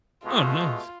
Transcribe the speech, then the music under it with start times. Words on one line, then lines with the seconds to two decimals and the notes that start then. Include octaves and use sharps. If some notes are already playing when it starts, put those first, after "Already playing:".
Oh, nice.
0.24 B2 G#3 A3 F4